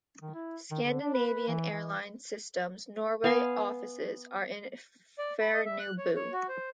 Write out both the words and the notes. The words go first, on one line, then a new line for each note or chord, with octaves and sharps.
Scandinavian Airlines System's Norway offices are in Fornebu.
D#3
E4
D#3
D3
D4
B4
B4
E3
E3
B3 F5 G#5 C6
D5
B5
D#5
E5
F#6
C#5
C#5
F#4
C5